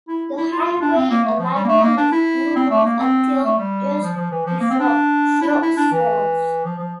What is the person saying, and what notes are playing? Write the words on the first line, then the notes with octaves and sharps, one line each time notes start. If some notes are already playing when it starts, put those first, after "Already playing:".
The highway alignment is due north until just before Sioux Falls.
E4
E4
F4
F4
D4
C4
A#3
A3
F3
G3
A#3
A3
A#3
D4
E4
C4
A3
A#3
C4
A3
G3
F3
F3
E3
F3
A#3
C4
D4
E4
D4
E4
D4
E3
F3
F3